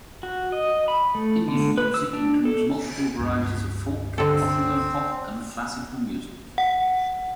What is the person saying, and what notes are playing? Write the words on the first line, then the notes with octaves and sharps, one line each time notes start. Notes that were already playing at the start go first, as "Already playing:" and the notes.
Indian music includes multiple varieties of folk, popular, pop, and classical music.
F#4
D#5
B5
A3
D3
B4
E6
D4
A4
C#2 G2
D3 C4 A4
F#5